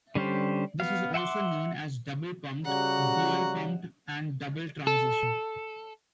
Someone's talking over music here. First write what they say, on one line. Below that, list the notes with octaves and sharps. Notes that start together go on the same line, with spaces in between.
This is also known as double pumped, dual-pumped, and double transition.
D3 G3 C#4 G4 C5
B3 F5
E5 F#5 G5 C6 D6
C#3 G3 F#4 F#5 A#5
A4